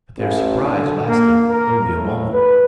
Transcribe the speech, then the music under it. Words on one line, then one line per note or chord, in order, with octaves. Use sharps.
But their surprise lasted only a moment.
A1
D3
A#3
A#4
A2
B4